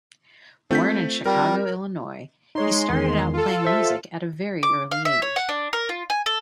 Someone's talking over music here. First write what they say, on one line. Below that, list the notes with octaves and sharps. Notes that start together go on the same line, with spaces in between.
Born in Chicago, Illinois, he started out playing music at a very early age.
A3 C4 F4 G6 B6
G3 A#4
G#3 D#4 C#5 C6
E2 D#3
F4 A4
C5 E5
D6
F5
E5
C#5
F#5
D4
A#4
F4
G#5
A4